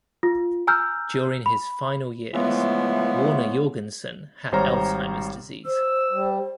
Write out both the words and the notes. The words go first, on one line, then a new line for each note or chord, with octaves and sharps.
During his final years, Warner Jorgenson had Alzheimer's disease.
F4
G#5 A#5 E6 F6 G6
B5
C#3 E3 F3 G#3 A3 B3
G#1 G3 C5 C#5 A#5 F6
C5 E6
G3